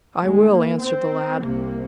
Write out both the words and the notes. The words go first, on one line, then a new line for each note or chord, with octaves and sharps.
"I will," answered the lad.
D#2 G#3
A#3
C4
C2 C3 A#3